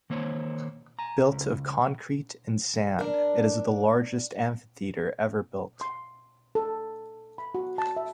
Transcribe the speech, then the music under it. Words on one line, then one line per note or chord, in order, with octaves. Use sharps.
Built of concrete and sand, it is the largest amphitheatre ever built.
D#3 A#3 C5 C#5
G#5 A#5
C#2
D4 A#4
C6
A4
B5
F#4
A5
E5